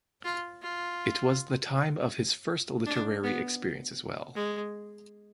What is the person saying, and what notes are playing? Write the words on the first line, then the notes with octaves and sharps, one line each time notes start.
It was the time of his first literary experience as well.
F4
F4
D4
B3
G#3